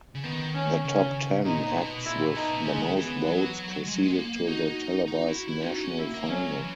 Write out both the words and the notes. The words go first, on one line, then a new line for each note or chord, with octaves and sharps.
The top ten acts with the most votes proceeded to the televised national final.
C#3
D#3 B3
C#4
C#3 C#4
A#2 D#4
B2
A#2 E4
B2 D#4
C#3 G#3
E3 B3
F#3
G#3
F#3
G#3
B3
A#3
D#4 F#4
D#4 F#4
E4
F#4
E4
C#4
D#4 F#4
C#4
A#3 E4
A#3
F#3 C#4
E3